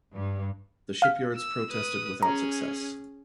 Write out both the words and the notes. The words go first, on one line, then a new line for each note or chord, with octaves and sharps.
The shipyards protested without success.
G2
F5 F6 B6
E6
B4 D#6
C#4 G#4 A#5